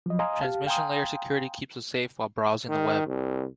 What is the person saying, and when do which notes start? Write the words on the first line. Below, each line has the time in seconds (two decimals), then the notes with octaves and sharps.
Transmission Layer Security keeps us safe while browsing the web.
0.06 F3 F#3 D#5
0.19 D#5 F5 G#5 A#5 C6 D#6
0.40 G4 F5 A5
0.67 F5 G5 G#5 A#5 C6 D#6
2.69 D#3
3.06 C2